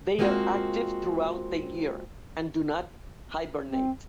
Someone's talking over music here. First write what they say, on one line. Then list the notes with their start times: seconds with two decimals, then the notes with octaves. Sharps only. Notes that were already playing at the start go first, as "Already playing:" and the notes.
They are active throughout the year, and do not hibernate.
0.19 G#3 A#3 C4 F4 F#4 C5
3.68 C4